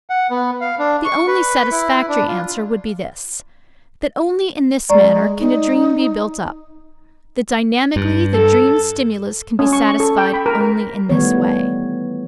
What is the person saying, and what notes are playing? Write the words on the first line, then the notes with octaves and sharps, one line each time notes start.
The only satisfactory answer would be this, that only in this manner can a dream be built up, that dynamically the dream-stimulus can be satisfied only in this way.
F#5
B3
F5
D4
C#6
B4
E4
D4
F4
G#3 D5 A#5 C#6
D#4
G2
A4
C#4
C#6
C#6
A4
G5
B5
A#4
A#4
D#3 E3 G3 A3 B3 C#5